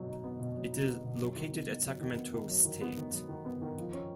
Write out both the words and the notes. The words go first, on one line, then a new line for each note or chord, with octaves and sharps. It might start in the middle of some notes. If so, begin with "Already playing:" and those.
It is located at Sacramento State.
Already playing: B2 F#3
D#4
B3
B2
F#3
D#4
B3
B2
F#3
D#3
B3
D#3
F#3
D#3
B3
D#3
F#3
D#3
B3
D#3
F#3
D#3
B3
D#3
F3
C#4